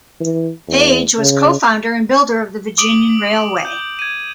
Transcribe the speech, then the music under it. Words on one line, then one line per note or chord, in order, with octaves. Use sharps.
Page was co-founder and builder of the Virginian Railway.
E3
E2
C#3
D6 D#6 D7 F#7
G6
G#6 D#7